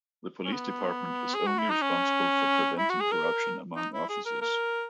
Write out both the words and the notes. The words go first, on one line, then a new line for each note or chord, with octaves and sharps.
The police department is only responsible for preventing corruption among officers.
C#4
B3
G#4
F#4
E4
D#4
C#4
E4
F#4
G#4
A#4
D#4
E4
G#4
A#4
A#4